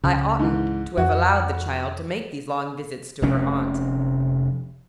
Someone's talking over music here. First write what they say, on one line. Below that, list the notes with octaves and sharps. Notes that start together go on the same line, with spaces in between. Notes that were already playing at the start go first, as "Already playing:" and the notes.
I oughtn't to have allowed the child to make these long visits to her aunt.
C#2 C#3
G#2 E3
F2 F#4
F1 F2 C3 C#4